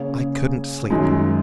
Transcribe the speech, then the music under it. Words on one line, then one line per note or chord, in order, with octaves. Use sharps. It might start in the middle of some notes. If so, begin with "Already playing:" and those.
I couldn't sleep.
Already playing: C#3 A#3 C#4 G#4 C#5
F#2 D#3 G#3